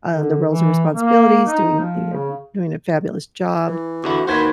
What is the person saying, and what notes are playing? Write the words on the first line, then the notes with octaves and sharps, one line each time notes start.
uh, the roles and responsibilities, doing ee uh doing a fabulous job,
D3
E3
A#3
D#4
F3
C#3
E3
E2 D3 E4 F#4
D#2 D#3 F#4 B4 C5 G#6 B6